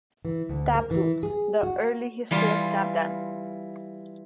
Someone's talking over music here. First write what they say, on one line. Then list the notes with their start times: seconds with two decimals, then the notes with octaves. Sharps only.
Tap Roots: The Early History of Tap Dancing.
0.25 E3
0.49 D2
0.75 A#4
0.91 E3
1.23 G#4
1.63 F#4
2.31 E3 G3 F4